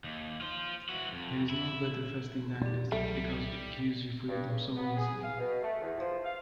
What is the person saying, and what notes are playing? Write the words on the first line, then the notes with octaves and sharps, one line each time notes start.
There is no better fasting than this because it gives you freedom so easily.
D#2
F4 C5
E3 F#4
F2
E4
G4 D5
C2 F#3 G3 A3
G2
C#3
B3
G#4
F5
B2
A3
E2
F3
F5